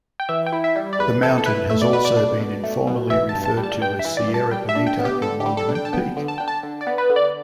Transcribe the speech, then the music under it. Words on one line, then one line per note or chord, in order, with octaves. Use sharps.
The mountain has also been informally referred to as Sierra Bonita and Monument Peak.
G5
E3 E5
G5
E4
E5
G3
D5
E2 B4
E3 A4
A4
E4 B4
A3 E5
D5
B2 B4
D5
D4
B2
A3
B2
E3 E5
A5
G2
A5
G3
A5
G2 G5
E5
E3
D5
G2
A5
G3 G5
E5
D4
G5
B3
G4
D3 A4
G4
G3
A4
D4
G5
A5
B3 G5
D3
A5
D4 G5
A5
D3
D5
B3
B4
D3
D5